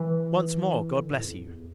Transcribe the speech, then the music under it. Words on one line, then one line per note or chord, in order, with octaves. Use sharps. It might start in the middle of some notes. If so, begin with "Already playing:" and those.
Once more, God bless you!
Already playing: E3
D3
A2
E2
F2
E2